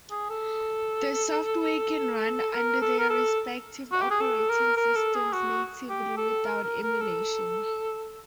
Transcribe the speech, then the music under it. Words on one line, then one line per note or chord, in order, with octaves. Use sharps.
The software can run under their respective operating systems natively without emulation.
G#4
A4
A#4
A4
A#4
A4
F#4
G4
G#4
A4
A#4
A#4
A4
G#4
F#4
G4
A4
A#4
A#4
A#4
A4